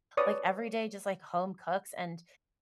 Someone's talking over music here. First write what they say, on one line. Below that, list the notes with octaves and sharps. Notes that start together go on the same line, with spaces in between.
like, everyday just, like, home cooks, and
B4 C#5 D5 D#6